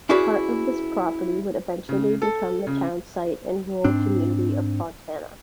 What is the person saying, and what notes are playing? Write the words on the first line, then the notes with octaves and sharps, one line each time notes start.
Part of this property would eventually become the townsite and rural community of Fontana.
C#4 E4 F#4 G#4 B4 D5
C#3
A4
C#3
G#2 C4 D4